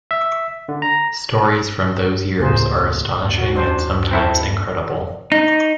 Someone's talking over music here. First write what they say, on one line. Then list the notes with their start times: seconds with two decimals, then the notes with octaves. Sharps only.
Stories from those years are astonishing and sometimes incredible.
0.11 E5
0.69 D3
0.82 A#5
2.39 D2 A2 C#3 A#3 G#4 C5
3.23 D#2
3.38 F#4
3.54 C#4 D4 C5
4.11 C4 E4 A4
5.32 D#4